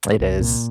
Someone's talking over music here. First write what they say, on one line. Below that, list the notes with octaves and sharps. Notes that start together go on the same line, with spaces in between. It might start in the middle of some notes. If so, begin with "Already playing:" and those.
It is.
C2
A#2